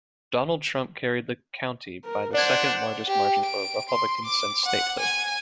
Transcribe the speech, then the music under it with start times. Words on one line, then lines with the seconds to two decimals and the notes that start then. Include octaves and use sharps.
Donald Trump carried the county by the second-largest margin for a Republican since statehood.
2.05 A#4
2.34 D4 C5 D5 F#5 G#6
3.07 G4
3.45 D7
3.89 C6
4.25 D6
4.65 F#5
5.00 G#5